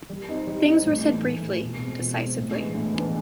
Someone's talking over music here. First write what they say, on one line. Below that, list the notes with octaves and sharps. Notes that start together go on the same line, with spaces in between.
Things were said briefly, decisively.
G3
C4 D#4
G3
C4 D#4
A2
E3 A3
A2
E3 A3
B2
G#3 C4
B2
G#3 C4
A2
E3 G#3 B3 D4
A2
E3 G#3 B3 D4